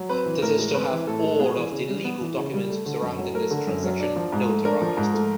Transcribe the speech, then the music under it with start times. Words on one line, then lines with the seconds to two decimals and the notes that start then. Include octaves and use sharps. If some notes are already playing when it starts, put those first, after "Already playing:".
This is to have all of the legal documents surrounding this transaction notarized.
Already playing: F#3
0.09 C4 B4
0.26 E3
0.42 A2 A#4
0.58 G#3
0.74 C4 B4
0.91 E3
1.07 A2 A4
1.24 G#3
1.39 B3 G#4
1.56 E3
1.72 C#3
1.89 G3
2.04 B3
2.21 E3
2.37 C#3
2.54 G3
2.70 A3
2.86 D3
3.02 F#2
3.19 F#3
3.34 A3 A#4
3.51 D3
3.67 F#2
3.83 F#3
4.00 D4
4.16 F3
4.32 G#2
4.49 A3
4.65 D4 A#4
4.81 F3
4.97 G#2
5.14 A3